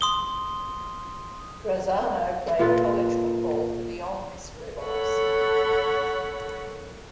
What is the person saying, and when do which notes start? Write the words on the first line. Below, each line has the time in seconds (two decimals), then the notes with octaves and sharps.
Razzano played college football for the Ole Miss Rebels.
0.01 C6 D#6 G7
2.59 A#2 F4 A4 B4
4.85 A4 C#5 F#5 B5 C#6